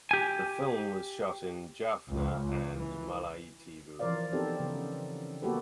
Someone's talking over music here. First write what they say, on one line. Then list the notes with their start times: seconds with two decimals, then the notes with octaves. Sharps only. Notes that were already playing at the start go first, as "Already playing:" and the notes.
The film was shot in Jaffna and Mullaitivu.
0.11 G4 G#5
2.10 C#2
2.76 E3
3.99 E3 F3 A#4 C5 D5 F5
4.32 B3 C4 D#4 G4 A4
4.60 C#3 B3
5.42 A#3 B3 F#4 G4 A4 B4